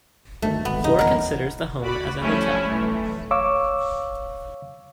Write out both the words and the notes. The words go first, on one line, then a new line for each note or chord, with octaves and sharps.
Flore considers the home as a hotel.
G1 D2 D#3 A3
G#1 B2 B3
C2 G2 C#3 D#4
E2 B2 D#3 F#3 A#4
D2 F#4 D5 B5
F3 G3 A3 C#4 E4 E5
B1 E3 A3
C#5 F5 C#6 D6 E6